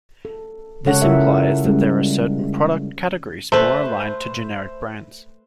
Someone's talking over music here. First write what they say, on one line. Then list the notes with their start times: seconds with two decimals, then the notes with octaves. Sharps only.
This implies that there are certain product categories more aligned to generic brands.
0.25 A4
0.85 C#3 G#3 A4 C#5 F#5
1.02 C#3 E4 F4 A#4 E5
1.64 G3 G#3 C#4
3.52 A3 B4 C5